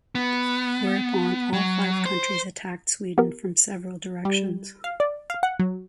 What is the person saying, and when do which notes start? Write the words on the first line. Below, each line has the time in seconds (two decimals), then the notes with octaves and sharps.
Whereupon all five countries attacked Sweden from several directions.
0.15 B3
1.53 F#3
2.06 C5
3.18 B3 G4 A#4
4.25 G3
4.84 F5
5.00 D5
5.30 F5
5.43 F#5
5.59 F#3